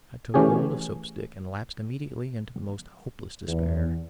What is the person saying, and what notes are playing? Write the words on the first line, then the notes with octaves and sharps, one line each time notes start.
I took hold of Soap-stick, and lapsed immediately into the most hopeless despair.
E3 A3 C#4 G4 G#4
E2